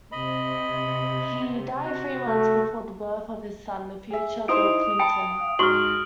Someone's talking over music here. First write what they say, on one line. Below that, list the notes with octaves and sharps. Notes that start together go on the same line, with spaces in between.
He died three months before the birth of his son, the future Bill Clinton.
C3 D#5 B5
F#4
A3
G#4 E5
D#4 E4 C5 D#6 D7
G5 A5 B5 D7
G#2 F#4 C#6 F6 F#7